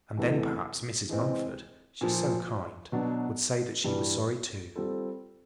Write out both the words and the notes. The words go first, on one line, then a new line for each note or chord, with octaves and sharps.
And then perhaps Mrs. Mumford--she's so kind--would say that she was sorry too.
E2 C3 E3 A3
E3 G#3 C4
A#2 F3 A#3
B2 F#3 B3 D4
G2 E3 G3
G3 C4 F4 A4